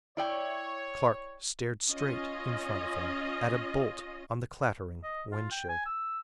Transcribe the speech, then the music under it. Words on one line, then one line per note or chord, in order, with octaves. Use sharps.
Clark stared straight in front of him at a bolt on the clattering wind-shield.
E4 C#5 D5 G5
C#4 F4 D#5
D#5
F4
G5
G#5
E6